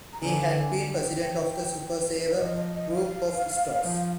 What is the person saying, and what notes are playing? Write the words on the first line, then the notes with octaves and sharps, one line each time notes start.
He had been President of the Super Saver group of stores.
A#5
D3 G#5
G5
G#5
G5
D5
F3 D#5
D#5
D#5
F5
F3